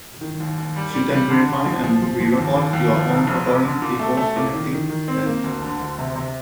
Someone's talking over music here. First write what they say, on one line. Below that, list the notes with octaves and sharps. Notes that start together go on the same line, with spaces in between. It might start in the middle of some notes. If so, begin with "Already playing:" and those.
You can verify and re-record your own recordings before submitting them.
D#3
D#2
D#2
G3
G3
G3
D3
D3
F3
F3
F3
F3
D#2
D#2
D#2
F3
F1
F1
F1
D3
A#2
A3
A3
A#2
D#3
D#3
D#3
C4
A#3
D2
D3
D2
C3
C3